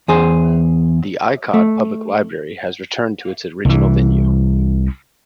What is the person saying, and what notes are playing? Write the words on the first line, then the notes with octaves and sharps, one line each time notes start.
The Icod Public Library has returned to its original venue.
E2 G#4 C5
A3
C2 E3